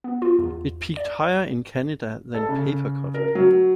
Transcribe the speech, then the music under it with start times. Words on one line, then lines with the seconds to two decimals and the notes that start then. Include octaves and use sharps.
It peaked higher in Canada than "Papercut".
0.04 B3
0.22 F4
0.39 E2
0.97 D5
2.34 A4
2.49 C#3
3.14 A#4
3.35 F#3